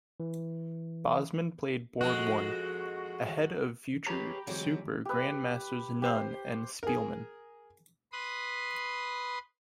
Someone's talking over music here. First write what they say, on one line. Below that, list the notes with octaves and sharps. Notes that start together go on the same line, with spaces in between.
Basman played Board One, ahead of future super Grandmasters Nunn and Speelman.
E3
F2 G#3 F#4
G4 G#4 B4 C#5 A#5 B5
D2 E3 F#3 G#3 C4
G4 B4
G4 C5
G#4 A#4
B4 B5 C6 D#6